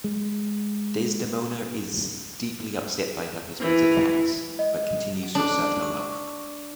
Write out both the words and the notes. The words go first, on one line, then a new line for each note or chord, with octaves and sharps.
Desdemona is deeply upset by her husband's attacks but continues to assert her love.
G#3
E3
D#5
D4